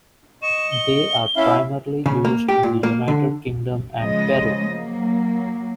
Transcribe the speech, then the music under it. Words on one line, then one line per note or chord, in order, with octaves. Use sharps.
They are primarily used in the United Kingdom and Peru.
D#5 C#6 E7
G7
C#4 E4 E5 F5
C#3
A#3
G4
A#2
A#3
D3
C#3 F3 G#3 D#5
F#3 A#3